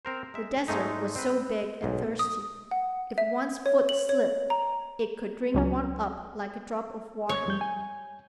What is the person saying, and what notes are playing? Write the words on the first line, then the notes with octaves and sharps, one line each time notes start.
The desert was so big and thirsty; if one's foot slipped, it could drink one up like a drop of water.
C4 A#4 C5
G#3 E5
G#2 G#3 A3 D#4
C4 B4
B1 G#2
D#6
F#5
E5
C#5
F#7
C#5
A#5
C#2 F#3 C#4
C#5
F2 G3 G6
G#5